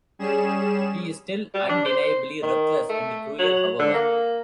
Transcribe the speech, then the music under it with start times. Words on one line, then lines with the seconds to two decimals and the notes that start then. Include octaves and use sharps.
He is still undeniably ruthless and cruel, however.
0.19 G3 C#4 G#4 E7
1.54 G3
1.69 D4
1.85 C5
2.43 D#3
2.89 A3
3.39 F#3
3.79 D3
3.94 A#3